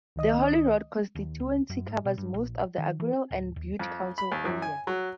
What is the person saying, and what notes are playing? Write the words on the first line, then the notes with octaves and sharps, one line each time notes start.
The Holyrood constituency covers most of the Argyll and Bute council area.
C#2 D#3 D#5 D#6
D#2
C#2
F#2
G#2
B2
G2
A#1
D#3
E3
C4
D1
D#2
F2
B5
D#2
F#2
G#5
F#3